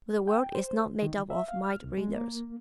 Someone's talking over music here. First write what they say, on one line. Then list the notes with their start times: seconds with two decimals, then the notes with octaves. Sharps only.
But the world is not made up of mind readers.
0.27 G5
0.55 C5
1.02 D#3
1.30 E5
1.48 F5
1.64 F6
1.84 C2
1.98 G#3
2.14 A#3